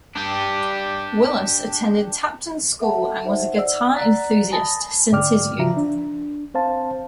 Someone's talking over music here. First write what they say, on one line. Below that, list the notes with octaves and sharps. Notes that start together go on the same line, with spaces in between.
Willis attended Tapton School and was a guitar enthusiast since his youth.
D4 G4
A4 E5 F#5 A5
D#4 C5 E5 F#5
D5 F#5 E6
D5 F#5 A#5 F#6 A6 B6
G#5 A5 B5 D#6 A6 A#6
G#2 D3 D5 G5 D6 F6
C#3 F3 F4 E5 A#5
D4
C4 C5 F5 A5